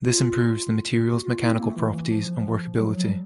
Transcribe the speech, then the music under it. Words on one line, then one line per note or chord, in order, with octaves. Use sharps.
This improves the material's mechanical properties and workability.
F4
F#4
F4
E4
C4
A#3
A3
E3
E3
F3
F#3
F3
F#3
G3